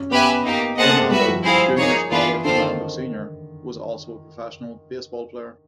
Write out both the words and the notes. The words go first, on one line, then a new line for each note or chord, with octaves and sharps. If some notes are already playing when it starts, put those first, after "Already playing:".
Fernando, Junior's father, Fernando, Senior was also a professional baseball player.
Already playing: C#4
B3 G4 B4 E5 G#5
A#3 D#4 G4
A#3 G#4 C5 D#5 F#5 A5
A3
G#3
G3 F#4 B4 E5
F3
C4 E4 G#4 C5 F5
A#3 D#4 G#4 C#5
E3 B3 D4 F4 G#4 B4
D3 C4 F4 A4 C5
D#3